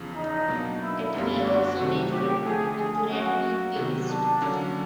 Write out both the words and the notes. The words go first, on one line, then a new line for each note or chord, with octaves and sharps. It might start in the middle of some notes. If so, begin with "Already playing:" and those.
It may also be filled with red bean paste.
Already playing: E2 C#3 F3
D#4
B2 F#3 A#3 D4
E4
F#2 D3 G3 B3 D4 F4
F#4
C3 D#3 F#3 A3 C4
G4
D3 F3 A3 G#4
G#4
F#3 A#3 C#4 F#4
C3 D#3 F#3 B3
D4
D3 F#3 A#3 C#4